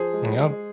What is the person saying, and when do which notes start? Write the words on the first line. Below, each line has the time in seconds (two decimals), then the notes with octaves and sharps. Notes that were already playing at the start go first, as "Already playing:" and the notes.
And, yep.
Already playing: F3 G#4 C5
0.13 G#3
0.38 G#3